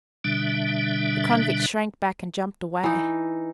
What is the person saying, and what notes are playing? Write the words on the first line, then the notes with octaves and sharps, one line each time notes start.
The convict shrank back and jumped away.
B2 D3 G3 D4 E5
E3 D#4